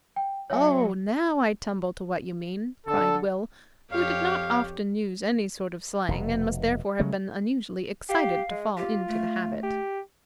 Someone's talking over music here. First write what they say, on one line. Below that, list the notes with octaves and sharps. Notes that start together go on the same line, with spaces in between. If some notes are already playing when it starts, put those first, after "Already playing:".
"Oh! now I tumble to what you mean," cried Will, who did not often use any sort of slang, and must therefore have been unusually excited to fall into the habit.
G5
F#3 C#5 E5 G#5
D3 A4
F2 G4 C#5 F5
F1 B2
C#3 F#3 G#3 A3
G4 F5
G#3
F4 G4
A3
G4